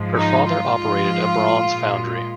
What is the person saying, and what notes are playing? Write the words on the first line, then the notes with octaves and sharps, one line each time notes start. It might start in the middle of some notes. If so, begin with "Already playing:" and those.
Her father operated a bronze foundry.
Already playing: G#2 F3 G#3
D#4
F4
G#2 F3 G#3
A#2 G#3